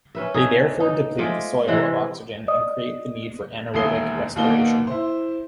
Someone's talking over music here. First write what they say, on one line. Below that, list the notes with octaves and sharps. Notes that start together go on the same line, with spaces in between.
They therefore deplete the soil of oxygen and create the need for anaerobic respiration.
C#4 B4 E5
A3 D#4 G#4
D#4
F3 G#3 A3 D5
C3 E3 G#3
D5 D#5 D#6
E1 D#2 E5 D#6 C7 G7
D#2 B2 A#3 D#4 D5 G7
E4 C5